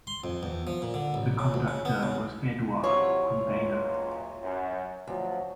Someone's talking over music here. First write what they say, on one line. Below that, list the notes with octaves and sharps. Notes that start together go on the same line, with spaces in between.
The conductor was Eduard van Beinum.
C6
F2
E2
F3
A#2
D3
A1
C#3
D2
C#3
B3
C#3
C2 C3 F#3 E4 F4 C#5
C#2 F#2 A#2
F#2
D2 F3 F#3